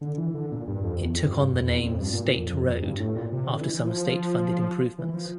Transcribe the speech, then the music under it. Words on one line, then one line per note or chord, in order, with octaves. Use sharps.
It took on the name State Road after some state-funded improvements.
D3
E3
D3
A#2
G2
F2
E2
F2
G2
G2
F2
E2
F2
G2
A#2
A#2
F2
F2
F2
G2
A2
A#2
C3
D3
E3
E3
F3
E3
F3